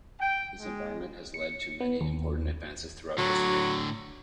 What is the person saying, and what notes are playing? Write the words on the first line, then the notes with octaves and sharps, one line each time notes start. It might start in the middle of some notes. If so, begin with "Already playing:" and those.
This environment has led to many important advances throughout history.
G5
G#3
C#7
B3
D#2
A2 D3 F#3